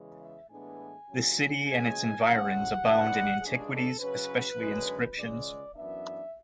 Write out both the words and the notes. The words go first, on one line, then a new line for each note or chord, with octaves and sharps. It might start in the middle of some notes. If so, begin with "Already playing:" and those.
The city and its environs abound in antiquities, especially inscriptions.
Already playing: E2 C#3 E3 G#3
E5
A2 E3 G#3 B3 D4 G#5
D2 D3 F#3 C#4
B2 G#3 C#4 G#5
A2 G#3 C#4 F#5
G#2 E3 G#3 B3 D4
C#2 C#3 G#3 D4 G#4
A4
C#3 F#3 C#4 B4
F#2 D3 G#3 C#4
C#2 C#3 G#3 D5
F#2 E3 B3 D4 E5